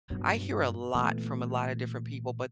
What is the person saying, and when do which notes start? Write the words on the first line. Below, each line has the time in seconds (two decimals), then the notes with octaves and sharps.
I hear a lot from a lotta different people, but
0.10 G2 B2 F#3
0.94 A#2 E3 A3 B3